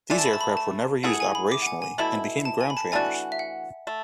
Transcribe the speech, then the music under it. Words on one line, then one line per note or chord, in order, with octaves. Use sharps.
These aircraft were never used operationally and became ground trainers.
D3 A3 D4 G#5
A5
B5
A5
B5
A5
E3 A3 E4 G#4 F#5
F#5
G#5
B5
D6
F#5
G#5
G#5
B2 A3 E4 B5
A5
G#5
B5
A5
E3 A3 D4 F#4 G#5
E5
F#5
A3